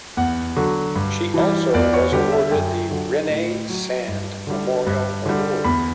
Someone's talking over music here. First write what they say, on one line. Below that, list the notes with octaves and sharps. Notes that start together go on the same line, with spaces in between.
She also was awarded the "Rene Sand Memorial Award".
E2 F#5
D3 F#3
G2
E3
G3
E2 D5
C#5
D3 G3 G4
E5
F#2 G5
D3 F#3
A2
F#3
G2
D3 G3
G2
D3 G3
E2 B5